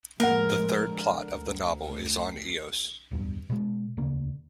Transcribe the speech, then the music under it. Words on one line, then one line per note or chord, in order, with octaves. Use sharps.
The third plot of the novel is on Eos.
F2 A2 G#3 A#3 A#4 F#5
D3
D2
D1 E2 G2
B2 G#3
E1 D2 C#3 A#3